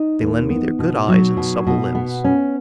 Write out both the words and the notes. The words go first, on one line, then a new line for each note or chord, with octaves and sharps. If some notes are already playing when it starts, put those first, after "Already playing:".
They lend me their good eyes and supple limbs.
Already playing: D#4
D#2
B3
B2
F#3
B2
B2
B3
C#4